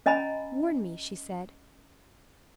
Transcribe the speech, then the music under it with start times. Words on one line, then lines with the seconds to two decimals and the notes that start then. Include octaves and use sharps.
"Warn me?" she said.
0.06 C#4 D#5 G#5 A#5 B5